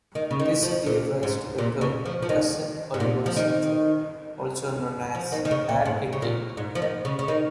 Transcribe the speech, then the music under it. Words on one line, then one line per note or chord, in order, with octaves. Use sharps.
This gave rise to the term "Cousin Oliver Syndrome", also known as "add-a-kid".
D#3
C#3
D#3
F3
A#2
G#2
A#2
C#3
F3
F3
D#3
G#2
A#2
F3
D#3
F3
D#3
D#3
C#3
A#2
G#2
C#3
A#2
G#2
F3
D#3
C#3
C#3
D#3